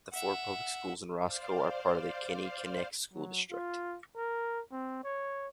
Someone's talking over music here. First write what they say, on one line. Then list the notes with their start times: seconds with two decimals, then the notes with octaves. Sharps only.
The four public schools in Roscoe are part of the Kinnikinnick School District.
0.12 E5 F#5
1.22 C5 D5 F5
3.13 F#3
3.51 F4
4.16 A#4
4.72 C4
5.04 C#5